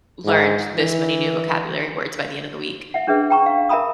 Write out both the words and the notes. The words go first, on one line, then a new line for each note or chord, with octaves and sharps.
learned this many new vocabulary words by the end of the week
G#2
E3
E5 F#5
C#4 D4 G#4 B4 E5
G5 A#5 C#6
F5
A#4 E5 G#5 A#5 B5 D#6